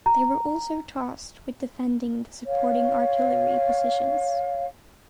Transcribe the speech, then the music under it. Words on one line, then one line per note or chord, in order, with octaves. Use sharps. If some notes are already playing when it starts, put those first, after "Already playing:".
They were also tasked with defending the supporting artillery positions.
A#5
C#5 F5